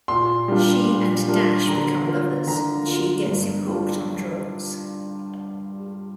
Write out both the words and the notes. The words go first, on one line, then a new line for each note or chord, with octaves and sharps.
She and Dash become lovers, and she gets him hooked on drugs.
A#2 C6
G3 A#3 D4 F4
A#2
G3 A#3 D4 F4
D3 A#5
A#3 F4
D3 A#5
A#3 F4
G2
G3 A#3 D4 F4